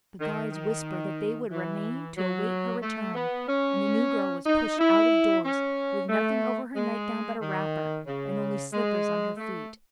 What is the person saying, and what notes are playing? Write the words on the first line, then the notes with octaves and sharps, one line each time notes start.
The guards whispered that they would remain to await her return, and the new girl was pushed out of doors, with nothing over her nightgown but a wrapper, and only slippers on her feet.
D#3
D#3
E3
F#3
A3
B3
C#4
D#4
E4
C#4
A3
G#3
D#3
C#3
G#3
A3